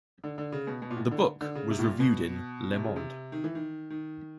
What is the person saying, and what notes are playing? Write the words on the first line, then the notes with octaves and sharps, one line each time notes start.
The book was reviewed in "Le Monde".
D3
D3
C#3
B2
B2
A#2
A2
D3
D3
C#3
C3
A2
A#2
B2
C3
C#3
C3
D#3
E3
D#3
D#3